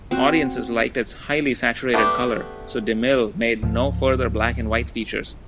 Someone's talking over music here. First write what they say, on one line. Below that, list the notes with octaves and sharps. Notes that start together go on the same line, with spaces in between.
Audiences liked its highly saturated color, so DeMille made no further black-and-white features.
C4 F#4
A3 B3 D4 G4
C#2 G#2 F3